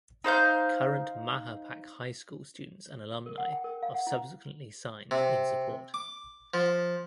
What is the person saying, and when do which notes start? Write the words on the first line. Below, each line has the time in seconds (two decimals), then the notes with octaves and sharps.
Current Mahopac High School students and alumni of subsequently signed in support.
0.24 D#4 C5 F5 G6
3.26 A#4
3.38 F#5
3.53 G5
3.64 A#4
3.83 F5
3.94 F#5
4.07 E4
5.11 C3
5.94 D6
6.54 F3